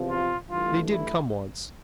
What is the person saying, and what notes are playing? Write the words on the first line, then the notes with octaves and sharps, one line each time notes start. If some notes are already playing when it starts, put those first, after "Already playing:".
They did come once.
Already playing: E2 C3 F3
F4
G2 E3 A3 F4
E4